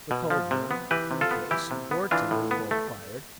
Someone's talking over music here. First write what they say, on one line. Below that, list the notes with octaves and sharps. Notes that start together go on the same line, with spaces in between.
The culverin, ukase, and door-tender were all fired.
B2
F3
C3
B3
E3 G4 B4
C3
F4 A4
B3
E3 E4 G4
C3
B3
E3 D4 F4
A2
B3
A3